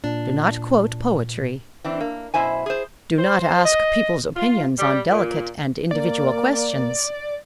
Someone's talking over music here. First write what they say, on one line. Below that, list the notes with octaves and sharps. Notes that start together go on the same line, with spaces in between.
Do not quote poetry; do not ask people's opinions on delicate and individual questions.
A#2 D4
E3 C4 D4
A#3
F#2 B2 E4 C5 G#5
G#4 C5
C5
D#5
F4
G3
A#2
A#3 D5